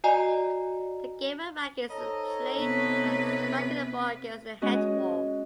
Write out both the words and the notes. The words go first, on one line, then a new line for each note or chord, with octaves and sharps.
The game of rackets is played by striking a ball against a headwall.
F#4 D5 D#5 G#5 A#5
D#4 A4 C5 C#5 D#5 A#5
C3 B3 B4
G#3 C#4 F#4 D#5